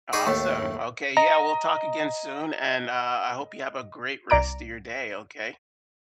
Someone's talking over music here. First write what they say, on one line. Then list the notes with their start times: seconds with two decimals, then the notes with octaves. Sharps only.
Awesome. Okay, yeah, we'll talk again soon and, uh, I hope you have a great rest of your day, okay?
0.13 D#4 G#4 D5 D#5 B5 C#6
0.26 D#2 A2 A3
1.17 D#5 A#5
4.30 C2 D5 A#5 D7